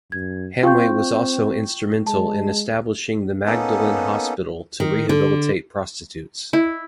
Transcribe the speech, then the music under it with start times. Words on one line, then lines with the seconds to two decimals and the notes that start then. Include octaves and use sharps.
Hanway was also instrumental in establishing the Magdalen Hospital to rehabilitate prostitutes.
0.12 F#2 G#6
0.63 C4 F4 G5 C#6 G6
2.07 G#3 A5
3.46 A#3 B3 C#4 D#4 A4
4.80 D#3
5.09 D3
6.53 E4